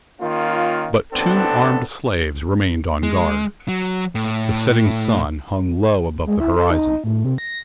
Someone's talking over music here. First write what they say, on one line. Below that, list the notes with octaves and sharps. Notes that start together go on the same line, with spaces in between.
But two armed slaves remained on guard. The setting sun hung low above the horizon.
D#3 A#3 C#4 F4
A1 B3 C4 D4 A4
G#3
F#3
A2
G#3
E4
A4
D#4
A2
C3
A#6